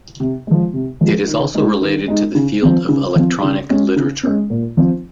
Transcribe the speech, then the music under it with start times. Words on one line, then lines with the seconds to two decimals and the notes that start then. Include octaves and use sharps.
It is also related to the field of electronic literature.
0.20 C3
0.47 F3 G#3
0.74 C3
1.01 F3 G#3
1.28 D#3
1.55 G#3 D#4
1.82 D#3
2.08 G#3 D#4
2.35 C#3
2.62 F3 C4
2.89 C#3
3.16 F3 C4
3.43 C#3
3.70 G#3 C#4
3.96 C#3
4.23 G#3 C#4
4.50 A#2
4.77 F3 C4